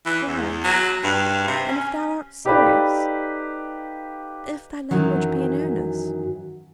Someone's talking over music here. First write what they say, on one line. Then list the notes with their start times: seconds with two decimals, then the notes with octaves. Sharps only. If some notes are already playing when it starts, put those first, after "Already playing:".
'Rise! and if thou art serious, if thy language be in earnest...'
0.06 E3
0.27 E2
0.64 F#3
1.04 G2
1.47 C3
1.68 C#4
2.45 D#4 G4 A4 B4 D5 F5
4.91 F#2 D#3 E3 F#3